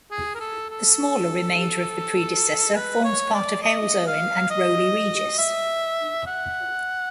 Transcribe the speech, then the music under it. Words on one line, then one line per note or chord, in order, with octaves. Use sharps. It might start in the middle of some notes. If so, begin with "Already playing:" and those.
The smaller remainder of the predecessor forms part of Halesowen and Rowley Regis.
G#4
A#4
A4
A4
B4
C#5
D5
D#5
F5
D#5
E5
F#5